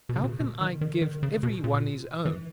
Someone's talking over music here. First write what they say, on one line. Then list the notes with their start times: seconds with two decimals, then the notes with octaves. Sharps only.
How can I give every one his own!
0.09 B2
0.16 C#3
0.24 B2
0.40 B2
0.61 D#3
0.81 D#3
1.02 D#3
1.23 C#3
1.43 B2
1.64 A#2
2.25 E3